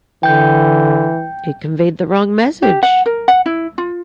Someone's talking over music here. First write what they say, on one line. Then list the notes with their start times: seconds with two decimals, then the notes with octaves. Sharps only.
It conveyed the wrong message.
0.23 D3 E3 G5 G6
2.62 G4
2.83 F#5
3.06 A#4
3.28 F#5
3.46 E4
3.78 F4